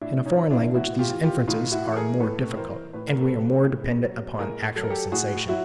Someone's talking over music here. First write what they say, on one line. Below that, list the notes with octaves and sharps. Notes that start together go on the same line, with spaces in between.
In a foreign language, these inferences are more difficult, and we are more dependent upon actual sensation.
A2 D4 E4
C#4 D#4
E3
D4 E4
A2 E4 F#4
F4 G4
E3
F4 G4
A2 D#4 F4
E4 F#4
E3
A4
G#4 A#4
A2 A4 B4
E3 A#4 C5
A2 B4
A#4
A4 B4
F#3
A2
F#3
A2 G#4 A#4
F#3 A4
A#4
G4 A4
A2 F#4 G#4
F#3 E4 F#4